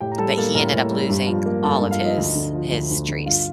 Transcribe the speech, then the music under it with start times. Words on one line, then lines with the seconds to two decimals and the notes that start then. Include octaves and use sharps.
but he ended up losing all of his his trees,
0.01 A2 G4 G5
0.12 A#5
0.18 G3 A4 A5
0.37 A#3 A4 A5
0.55 A2 A#4 A#5
0.73 A2
0.91 G3
1.09 G2
1.27 F3
1.46 A#3
1.64 G2 A4 A5
1.81 G2
1.91 F4 F5
2.00 F3 D#4 D#5
2.17 D2
2.35 D3
2.53 F3
2.72 D2
2.91 D2
3.08 D3
3.26 G2 F4 F5